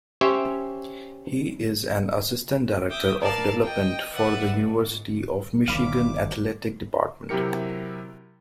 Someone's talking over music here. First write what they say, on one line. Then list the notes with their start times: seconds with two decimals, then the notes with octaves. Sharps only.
He is an Assistant Director of Development for The University of Michigan Athletic Department.
0.21 C#4 G4 C5 C#5 E5
2.90 E5 G5 D6 D#6
3.20 A#4 D5 F5 A5
3.63 D#5 G5
4.13 B4 D5 E5 F#5
4.55 G#2
5.68 G1 D#3 G3 F5 B5 D6
7.29 C3 F#3 E4 G4 A#4 C#7